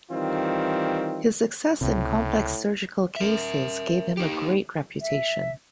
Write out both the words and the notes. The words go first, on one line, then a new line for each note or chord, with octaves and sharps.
His success in complex surgical cases gave him a great reputation.
D#3 E3 G3 C4 F4
C#2 A2 C3
A#4 E5
D#4 G4
E5